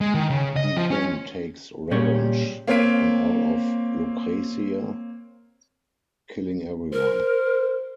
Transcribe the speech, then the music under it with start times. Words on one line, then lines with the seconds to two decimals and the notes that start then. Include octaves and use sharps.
He then takes revenge on all of Lucretia, killing everyone.
0.01 G#3
0.14 D#3
0.30 C#3
0.56 D#5
0.76 F3
0.91 C#4
1.91 A#2 G3 C#4 G#4 C#5
2.67 A#3 C4 C#5 F5 B6 D7
6.93 A#4 C5